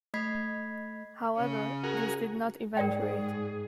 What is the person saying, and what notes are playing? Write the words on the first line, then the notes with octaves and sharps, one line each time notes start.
However, this did not eventuate.
A3 D#5 B5 G#6 B6 C7
C#3 C#4
F#4 G#4 A#4
G#2 G#4 A#4 D5 G5